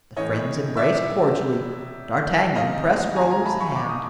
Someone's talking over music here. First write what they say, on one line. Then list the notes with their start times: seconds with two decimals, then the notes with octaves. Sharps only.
The friends embraced cordially; D'Artagnan pressed Raoul's hand.
0.17 A2 E3 C#5 D#5
0.77 D5 E5
2.56 E2 C3 D#3 D#5 F5
3.16 G#5 A#5
3.30 G#5 A#5
3.45 A5 B5
3.60 B5 C#6
3.75 D6
3.89 D#6